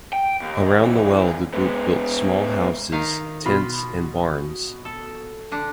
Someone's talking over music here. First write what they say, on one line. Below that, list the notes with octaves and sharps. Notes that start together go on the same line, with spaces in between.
Around the well the group built small houses, tents, and barns.
G5
D#2
G2 E3
G#3 B3
D#3 D#4 F5
B2 F4 B5
A4
D3 D4